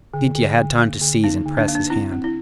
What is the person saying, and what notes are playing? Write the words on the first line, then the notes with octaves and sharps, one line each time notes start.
Mitya had time to seize and press his hand.
D3
D3
D3
A#3
D3
A#3 D#4
D3
D4
A#3
D4
C4 E4
C4
E4